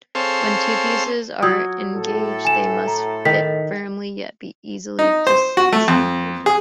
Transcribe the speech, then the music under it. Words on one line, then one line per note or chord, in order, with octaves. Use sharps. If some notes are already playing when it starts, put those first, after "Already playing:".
When two pieces are engaged they must fit firmly, yet be easily disassembled.
C4 G#4 A4 C5 C#5 F5
F#3 D#6 E6 G#6
A2 A4
G#5 E7
A#5
D#3 B6
D#4
C5
F#4
A3
F2
G#4